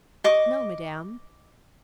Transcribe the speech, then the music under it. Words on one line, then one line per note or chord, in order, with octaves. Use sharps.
"No, Madame."
D#5 C#6 D6